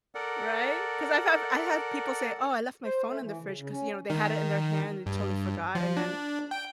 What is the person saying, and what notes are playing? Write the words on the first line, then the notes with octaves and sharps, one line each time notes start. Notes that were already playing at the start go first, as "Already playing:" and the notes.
Right? 'Cause I've have I've had people say, "Oh, I left my phone in the fridge," 'cause, you know, they had it in their hand and totally forgot, and then
A4 A#4 D5 F#5
C5
A3
E3
C#3
C#3
C#4
D#3
G2
F3
D4
G5